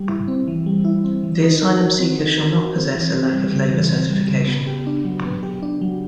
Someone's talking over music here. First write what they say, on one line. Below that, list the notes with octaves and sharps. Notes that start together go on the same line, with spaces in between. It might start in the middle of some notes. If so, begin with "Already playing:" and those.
The asylum seeker shall not possess a lack of labor certification.
Already playing: G3
E4
C4
E3
G3
E4
C4
E3
D#4
A#4
F#4
C4
D#4
A#4
F#4
C4
E3
C4
G3
C#3
E3
C4
G3
C#3
B3
G4
D4
F#3
B3
G4
D4
F#3